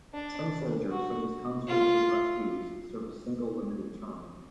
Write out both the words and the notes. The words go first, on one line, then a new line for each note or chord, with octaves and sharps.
Some soldiers, such as conscripts or draftees, serve a single limited term.
D4
F#4
F4